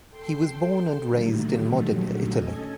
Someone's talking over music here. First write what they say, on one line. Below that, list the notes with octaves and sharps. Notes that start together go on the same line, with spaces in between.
He was born and raised in Modena, Italy.
A4 G5 C6 C7
A#2 D3 D#3 F#3 G3 A3
C#4 A4 D#5 G#5 G#6